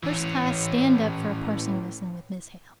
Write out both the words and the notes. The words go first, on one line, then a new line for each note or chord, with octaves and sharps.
First class stand up for a parsing lesson with Miss Hale.'
E3 C#4